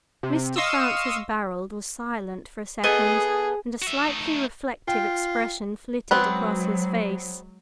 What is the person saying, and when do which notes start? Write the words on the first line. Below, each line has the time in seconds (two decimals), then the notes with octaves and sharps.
Mr. Francis Barold was silent for a second, and a slightly reflective expression flitted across his face.
0.23 C3
0.56 D#5 F5 C6 C#6 D#6 E6
2.84 B3 G#4 A4 D#5
3.82 F#4 E5
4.08 A3 D#4
4.88 F4 G5
6.11 F#3 G#3 B3 C4 B4